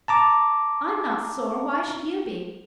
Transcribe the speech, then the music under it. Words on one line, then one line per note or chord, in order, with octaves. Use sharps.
I'm not sore, why should you be?
A5 A#5 D6